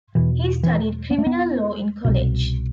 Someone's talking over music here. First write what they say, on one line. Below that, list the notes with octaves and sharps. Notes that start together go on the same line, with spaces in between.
He studied criminal law in college.
E2 B2 E3
E3
B3
A3
B3
C2 B2